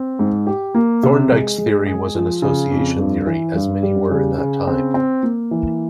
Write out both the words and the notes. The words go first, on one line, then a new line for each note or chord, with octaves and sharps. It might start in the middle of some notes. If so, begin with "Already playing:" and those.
Thorndike's theory was an association theory, as many were in that time.
Already playing: C4
G#2
G4
A#3
C3
G#3
G#3
G#4
F3
C#3
F2
G2
E3
G2
G3
C#3
C#3
C4
C4
A#3
E3